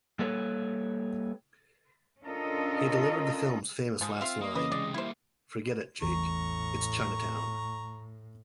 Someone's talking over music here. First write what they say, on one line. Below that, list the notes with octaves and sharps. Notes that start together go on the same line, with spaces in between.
He delivered the film's famous last line, Forget it, Jake, it's Chinatown.
G3 A#3 A4 B4 C#5
C#4 D4 F4 A4 A#4 D#5
G#2 F3 G#3
C4 F4 E5 F5 C6
A#3 D#5
C#3 E3 C#4 B4 D#5
C3 G#3 D5
G3 A#3 E4 C5
A1 E2 A2 A#5 C#6